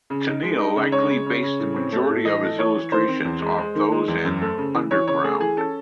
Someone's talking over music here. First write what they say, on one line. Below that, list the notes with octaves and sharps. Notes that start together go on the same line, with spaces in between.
Tenniel likely based the majority of his illustrations off those in "Under Ground".
C#3
D#4
G#3
D#4
C#3
G#3 C#5
C#3
C#3
C#3
A2
C4
A3
A2
E3 D#5
A3
E3 C#5
E3
D#3 C5
C4
E2
G#3
G#3
D#3
G#3
E2
F#2
A3
C#3
E3
E3 C#5
C#3 C#5
A3 G#4
E3 G#4
C#4 A4